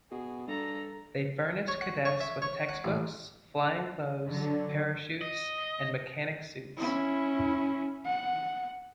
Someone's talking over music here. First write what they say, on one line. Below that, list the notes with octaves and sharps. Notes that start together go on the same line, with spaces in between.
They furnished cadets with textbooks, flying clothes, parachutes, and mechanic suits.
B2 G#4
G2 A4 A#5
C#5
F#5
C#5
E5
C#5
F#5
A1
D3 F#3
D#5
C#4 E4
F#5